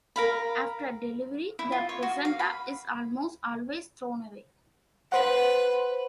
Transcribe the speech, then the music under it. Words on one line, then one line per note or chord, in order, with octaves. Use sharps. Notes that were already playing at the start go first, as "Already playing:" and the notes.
After delivery, the placenta is almost always thrown away.
A#4 F5 B5
E4
F4
C#5
F#4
F5
B5
B4 C5 F#5